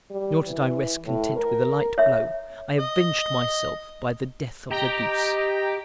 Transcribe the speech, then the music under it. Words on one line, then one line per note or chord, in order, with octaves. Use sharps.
Nor did I rest content with a light blow, I avenged myself by the death of the goose.
G3
E3
A2
A#4
C#5 E5
D#5
G4 D#5 G5 A#5